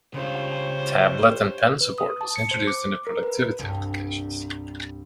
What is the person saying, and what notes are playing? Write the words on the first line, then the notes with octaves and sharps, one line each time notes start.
Tablet and pen support was introduced in the productivity applications.
G2 C#3 F4 C5 C#5
B4
D#6
A5
C#7
C5
D6
A#4
B4
C2 G2